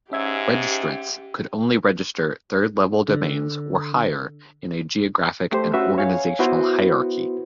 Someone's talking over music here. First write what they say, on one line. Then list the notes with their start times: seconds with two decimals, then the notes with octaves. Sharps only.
Registrants could only register third-level domains or higher in a geographic and organizational hierarchy.
0.12 G#2 C#4 G4 E5 G#6
3.08 D3
5.52 A3 G4 C5
5.74 C#4 F#4 B4 E5
5.98 C#5 F5 G#5
6.39 B3 E4 F#4 B4 C5